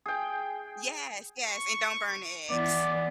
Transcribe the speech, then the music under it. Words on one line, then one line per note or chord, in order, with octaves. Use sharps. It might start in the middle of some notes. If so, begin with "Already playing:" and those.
Yes, yes, and don't burn the eggs.
G#4 G5
C#6
E3 B3 D5